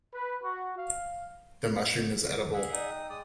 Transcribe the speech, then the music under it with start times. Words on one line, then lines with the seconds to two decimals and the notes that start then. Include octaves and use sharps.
The mushroom is edible.
0.14 B4
0.43 F#4
0.78 F5
2.54 G#4 E5 F#5
2.71 D#4 D5 D#6
2.88 G5
3.10 G#3 D5 D#6